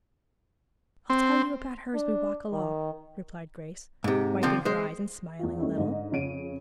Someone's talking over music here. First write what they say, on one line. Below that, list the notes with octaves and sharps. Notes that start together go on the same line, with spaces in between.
"I'll tell you about her as we walk along," replied Grace, wiping her eyes and smiling a little.
C4
D4
D#3
G#2 C3
D3 F3 C4
G#3 C5
E2 F4
G3 A3 C#4 D#4 E4
G#2 D3 D#5
F2 C#3 C#5 D7 D#7